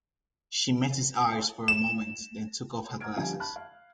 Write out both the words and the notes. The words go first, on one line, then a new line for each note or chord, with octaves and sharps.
She met his eyes for a moment, then took off her glasses.
E7
F#5 A#5 F6 G#6 D7
D3 F3 G3 F5 G#5
A5 B5 F#6
F5